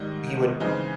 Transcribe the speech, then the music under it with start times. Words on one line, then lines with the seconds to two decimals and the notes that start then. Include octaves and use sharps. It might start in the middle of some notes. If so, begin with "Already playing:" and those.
he would,
Already playing: G#2 D#3 G3 D#5
0.60 C#3 E3 G#3 C4 D#4